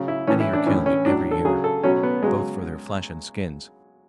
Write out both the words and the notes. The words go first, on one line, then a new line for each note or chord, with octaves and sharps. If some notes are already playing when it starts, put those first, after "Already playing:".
Many are killed every year, both for their flesh and skins.
Already playing: C#3 F#3
E4
A2 E3 C#4
E4
D4
A2 E3 C#4
C#4
A2 F#3 D4
A4
C#3 F#3 G#4
A4
B2 F#3 C#4
B3
C#3 F#3 G#3